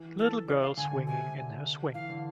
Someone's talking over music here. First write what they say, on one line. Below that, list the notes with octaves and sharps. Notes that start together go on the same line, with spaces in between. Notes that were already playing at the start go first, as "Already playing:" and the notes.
Little girl swinging in her swing.
Already playing: E3
A4
D5
F5
D3 G#5
D3
C3 G#5
D3
E3 F5
D3